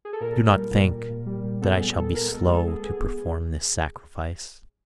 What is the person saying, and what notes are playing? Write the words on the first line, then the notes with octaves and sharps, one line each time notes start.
Do not think that I shall be slow to perform this sacrifice.
G#4
A4
A#2 A#4
A#2
G3
A#2
A#2
A#2
G3
A#2
B3 A4
G3 G#4
A#2 A4
B3 A#4
G#3 A4
G#4
G#3 A4
B3 G#4
B3 G#4